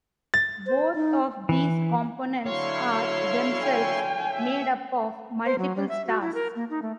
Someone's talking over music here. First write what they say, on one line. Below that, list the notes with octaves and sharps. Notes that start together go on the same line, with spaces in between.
Both of these components are themselves made up of multiple stars.
A6
C5
D#4
E3
D3 F#3 E4 C#5 F5 C6 C#6
G5 G#5
E5
C5
F#3
G3
E5
F#4
E4
A#4
A#3
D#4
A3